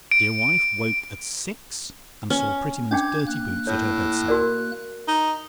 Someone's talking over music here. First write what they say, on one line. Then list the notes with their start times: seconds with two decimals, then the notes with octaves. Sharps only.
His dear wife woke at six, and saw Prettyman's dirty boots at her bedside.
0.12 D7
2.30 C#4
2.91 C#4 D4 G5 D6 G6 G#6
3.27 A#3 F#6
3.67 A2 C#5
4.28 F#4 A#4 D5
5.08 D#4